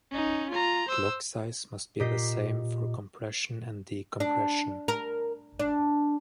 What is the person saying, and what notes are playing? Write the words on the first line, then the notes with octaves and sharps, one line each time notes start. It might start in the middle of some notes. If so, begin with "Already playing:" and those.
Block size must be the same for compression and decompression.
C#4 D#4
F4 A#5
C5 E6
A#2 G4 D#5 B6 C7
D4
A#4
D4